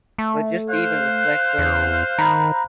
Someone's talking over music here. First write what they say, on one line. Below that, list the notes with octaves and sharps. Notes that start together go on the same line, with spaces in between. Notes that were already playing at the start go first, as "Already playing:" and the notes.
But just to even reflect on,
A3
C5 F5 F#6
E2
D#3 A#5 B5